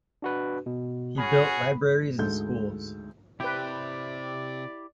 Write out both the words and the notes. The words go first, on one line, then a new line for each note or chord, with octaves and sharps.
He built libraries and schools.
D4 F#4 B4
B2
C#4 F#4 G#4 B5
D2 G#2 G#3 A4 G6
C3 E4 G4 B4 C5 D5 G5